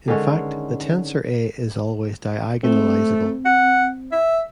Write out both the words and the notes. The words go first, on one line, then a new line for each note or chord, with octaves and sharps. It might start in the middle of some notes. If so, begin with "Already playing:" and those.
In fact the tensor A is always diagonalizable.
D3 D#3 G#3 C#4
A3 C4
F#5
E5